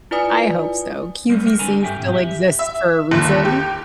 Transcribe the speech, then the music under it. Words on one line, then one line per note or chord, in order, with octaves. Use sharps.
I hope so. QVC still exists for a reason.
E4 F4 B4 D5 G#5 D#6
G3 B3 C4 A#4 C5
A#4
D3 G#3 A4 B4 G#5 A#5
G2 G4 E5 G5 G#5
B1 G#2 E3 C4
G4 E5
E5
G1 D#2
G4